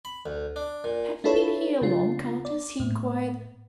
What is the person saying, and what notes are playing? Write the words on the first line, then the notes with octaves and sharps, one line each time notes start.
"Have you been here long, Countess?" he inquired.
B5
D2
D4
A#2
D4 E4 F4 A4 B4 C#5
C#3 D4 F4
D5
A2